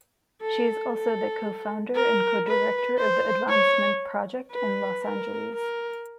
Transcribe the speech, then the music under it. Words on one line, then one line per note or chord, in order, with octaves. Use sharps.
She is also the co-founder and co-director of the Advancement Project in Los Angeles.
A4
A4
A#4
B4
C5
C#5
B4
A#4
A#4